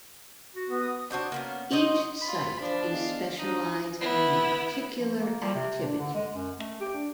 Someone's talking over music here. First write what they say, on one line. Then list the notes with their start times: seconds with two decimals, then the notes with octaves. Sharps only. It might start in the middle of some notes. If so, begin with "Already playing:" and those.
Each site is specialised in a particular activity.
0.56 F#4
0.69 B3
0.81 D#6
1.11 D4 F#4 C5 D5
1.32 A#3 B3 C#4
1.71 F#3 D#4 C5 D#5
2.21 F4 B5
2.59 F3 D4 F4
2.91 G#3 B3 F5
3.39 F3 D4 D#4 D#6
4.00 B3 E4
4.99 F3
5.19 A#3
5.41 G3
5.55 C3
5.83 D4
5.99 D3
6.14 G#3
6.33 F#2
6.58 A3
6.81 G4
6.94 D4